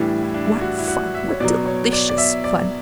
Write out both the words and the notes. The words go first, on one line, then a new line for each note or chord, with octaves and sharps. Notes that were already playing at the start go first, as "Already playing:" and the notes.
What fun--what delicious fun!
Already playing: A2 E3 G3 D4
E4
D4
E4
F#4
E4
F#4
E5
C#5
B2 F#3 D5
C#5
D5
D5
E5
D5